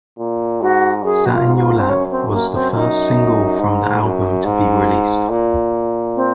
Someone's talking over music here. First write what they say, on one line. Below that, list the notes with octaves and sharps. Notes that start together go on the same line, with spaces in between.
"Sat in Your Lap" was the first single from the album to be released.
A#2
G#2 F#4
F#2 G#4
F#4
F4
G#2
F#4
F4
C4
F#2 C#4
C4
A#3
C4
D#4
G#2
F#2
G#2
A#2
C4